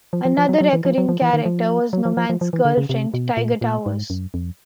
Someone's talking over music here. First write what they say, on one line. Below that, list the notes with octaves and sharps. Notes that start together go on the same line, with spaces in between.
Another recurring character was Nomad's girlfriend, Tiger Towers.
F3
F3
F3
F#3
F#3
E3
F3
F#3
F3
E3
D#3
F3
F#3
F3
F3
F3
F3
E3
D3
C#3
C3
B2
A#2
A#2
G#2
F#2
F2